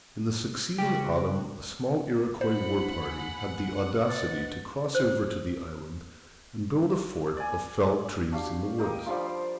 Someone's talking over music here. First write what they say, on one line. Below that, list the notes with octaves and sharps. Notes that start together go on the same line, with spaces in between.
In the succeeding autumn a small Iroquois war-party had the audacity to cross over to the island, and build a fort of felled trees in the woods.
C#3 G3 F#4 G4
E4 C5 F#5 B5
G#5
B4 C5 D#5 A6
C5
D5 G#5
G4
D4 F#4 G4 F5
G4 A#4 D#5 G5
F3 G3 D4 F4
C5